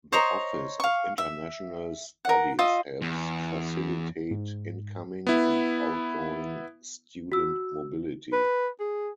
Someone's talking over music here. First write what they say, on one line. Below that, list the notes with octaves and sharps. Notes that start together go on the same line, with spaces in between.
The Office of International Studies helps facilitate incoming and outgoing student mobility.
C5 C#5 D#5 A#5
F5 C#6
E5
A#4 F#5
F4 D#5 E5
E2
G#2
B3 E4
F#4 E6
B4
G#4